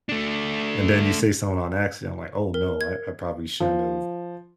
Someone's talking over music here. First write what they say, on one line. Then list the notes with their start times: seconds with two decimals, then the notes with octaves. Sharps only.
And then you say something on accident, like, "Oh, no. I I probably shouldn't have
0.09 A3 D4
2.54 A#4
2.81 G#6
3.60 F3